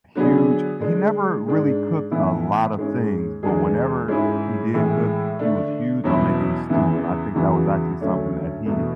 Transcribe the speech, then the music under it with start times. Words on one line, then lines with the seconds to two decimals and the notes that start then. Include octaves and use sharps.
huge he never really cooked a lot of things, but whenever he did cook, he was huge on making stew, and I think that was actually something that he,
0.15 D3 F#3 B3 D4 G#4
0.81 D3 G#3 D4
1.46 G#2 G#3 D4
2.11 A2 E3 B3 E4
2.77 G#2 G#3 C#4
3.43 E2 D3 G#3 D4 G#4
4.08 G#2 G#3 C#4 E4 G#4
4.74 A2 E3 G#3
5.39 D3 A3 D4
6.04 E2 B2 F#3 C#4 E4
6.69 E2 C#3 E3 B3
7.34 E2 C#3 E3 B3 F#4
8.01 D2 D3 F#3 A3 C#4
8.65 E2 B2 A3